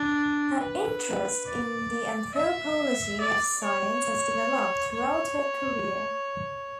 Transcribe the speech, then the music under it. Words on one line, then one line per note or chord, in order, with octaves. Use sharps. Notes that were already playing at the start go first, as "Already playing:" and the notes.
Her interest in the anthropology of science has developed throughout her career.
Already playing: D4
B4
D5
E5
D5
C#5
C#5